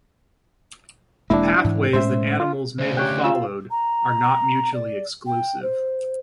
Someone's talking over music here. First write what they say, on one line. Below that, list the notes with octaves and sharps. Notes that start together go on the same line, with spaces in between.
The pathways that animals may have followed are not mutually exclusive.
E1 G#3 A#3 D4 E4
G#2 E3
A2 G#3 C#4 C5 E5
F4
D2 C#3 C5
G4 C#5 G5 F#6
F4 F5 E6
A#5
D5
G5
C5